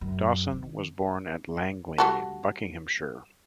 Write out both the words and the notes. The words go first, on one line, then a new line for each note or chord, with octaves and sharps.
Dawson was born at Langley, Buckinghamshire.
F#2
D#3
G3 F#4 A4